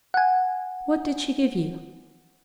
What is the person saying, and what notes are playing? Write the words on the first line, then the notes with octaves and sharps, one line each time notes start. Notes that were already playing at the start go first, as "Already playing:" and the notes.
'What did she give you?'
F#5 G#5